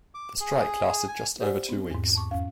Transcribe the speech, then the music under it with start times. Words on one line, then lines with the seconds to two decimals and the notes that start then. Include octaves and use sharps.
The strike lasted just over two weeks.
0.15 D6
0.40 G#4
1.08 G#5
1.41 G4 C5 D5 F#5 G#5
1.69 B3 C4
1.91 E2 G#2
2.15 A5 C#6 D6
2.31 F2 C#4 F5